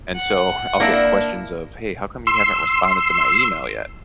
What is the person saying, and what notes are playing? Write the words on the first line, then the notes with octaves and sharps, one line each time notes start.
and so I'll get questions of, "Hey, how come you haven't responded to my email yet?"
F#5
A#3 D4 E4
C6 E6